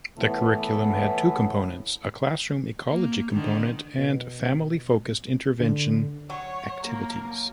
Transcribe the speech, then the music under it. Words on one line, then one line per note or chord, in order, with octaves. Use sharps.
The curriculum had two components: a classroom ecology component and family-focused intervention activities.
A2 E3 A3 B3
A#3
D3 D#3
B2
D3
F#3 C#5
A#3 A#4